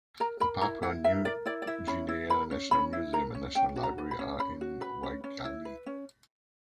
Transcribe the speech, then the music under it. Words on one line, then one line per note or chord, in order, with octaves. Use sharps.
The Papua New Guinea National Museum and National Library are in Waigani.
A#4 A#5
A#4 B5
E4 A#5
E4 F#5
A#4 E5
A#4 D5
E4 D5
D5
E4 E5
C#4 B5
E4
A#4 B5
C#4
C#4 B5
E4
A#4 A#5
C#4
C#4 G5
F#4
A#5
B4
B5
C#4
C#4 B5
F#4
B4 B5
C#4
C#4
E4
B4
C#4